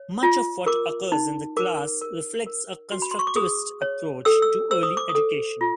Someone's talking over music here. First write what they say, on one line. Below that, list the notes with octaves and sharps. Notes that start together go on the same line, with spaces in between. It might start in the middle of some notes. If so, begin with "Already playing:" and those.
Much of what occurs in the class reflects a constructivist approach to early education.
Already playing: C#5
F4
A#4 D6
D#4
A#4 D6
A#4
A#4
F#4
B5
C6
C#6
D6
G#4 D#6
C#5
A4 E6
E6
C5 E6
D#6
D6
D#6
A4
F4